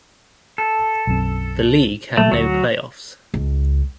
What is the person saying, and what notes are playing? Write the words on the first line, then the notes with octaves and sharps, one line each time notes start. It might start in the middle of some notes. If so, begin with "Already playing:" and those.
The league had no playoffs.
A4
B1 F#2 C4
A#2 F#3 G3 A3
D2 F#3 F#4
C#2